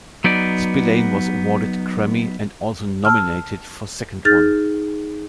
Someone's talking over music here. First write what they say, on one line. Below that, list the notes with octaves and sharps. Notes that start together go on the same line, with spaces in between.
Spillane was awarded a Grammy and also nominated for second one.
F#3 B3 D#4 D5
A5 E6 F6
D#4 G#4 F6 G6 A6